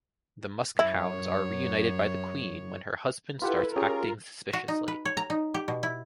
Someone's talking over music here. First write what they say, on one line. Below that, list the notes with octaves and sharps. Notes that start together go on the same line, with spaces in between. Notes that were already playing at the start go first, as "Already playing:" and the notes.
The Muskehounds are reunited by the Queen when her husband starts acting suspiciously.
F#2 E4 C#5
E4 F4 G4 A4 B4 F#5
C#4 F4 G4 G#4 A#4
F#4
D#4
B4
C#5
A#5
D#4
G4
B2
E4